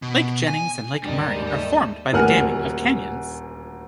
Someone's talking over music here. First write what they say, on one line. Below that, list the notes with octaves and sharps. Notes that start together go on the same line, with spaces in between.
Lake Jennings and Lake Murray are formed by the damming of canyons.
B2
G#5
D#2 G#2 G3 D4 A4 D#5
A3 D#5 E6
D#1 D2 A#4 F#5 G#5 F6